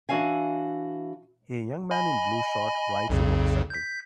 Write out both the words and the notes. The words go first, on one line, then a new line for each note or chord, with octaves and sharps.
A young man in blue short rides a motorcycle.
E3 D4 F#4 E5 F5 G#5
D#5 G#5 B5
B1 F2 C#3
G6 B6